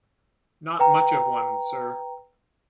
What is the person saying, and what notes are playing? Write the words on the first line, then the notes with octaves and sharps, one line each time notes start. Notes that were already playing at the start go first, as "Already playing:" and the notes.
Not much of a one, sir.
B4 G5 A#5